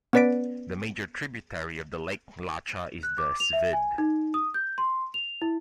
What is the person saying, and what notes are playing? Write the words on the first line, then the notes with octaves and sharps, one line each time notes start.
The major tributary of the Lake Lacha is the Svid.
B3 C#4 B4 D5 B6 D7
F#6
D6
F7
E5
G#5
D#4
D#6
G6
C6
F7
E4